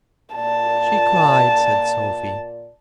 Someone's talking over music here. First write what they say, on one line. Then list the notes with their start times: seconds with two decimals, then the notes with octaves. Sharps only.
"She cried," said Sophie.
0.35 A#2 D5 A5